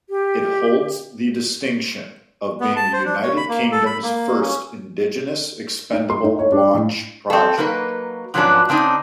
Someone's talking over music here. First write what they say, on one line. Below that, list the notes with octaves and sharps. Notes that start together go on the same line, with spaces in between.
It holds the distinction of being the United Kingdom's first indigenous expendable launch project.
G4
B3
A5
C5
D4
C#5
B5
A#3
A4
B5
A#3
C#4
D#4
C6
D#4
C#5
D4
A2
C4 A4
F#3 A#3 D#4 B4
G#2 F3 F#3 B3 C#4 D4
C#3 C4 D4 D#4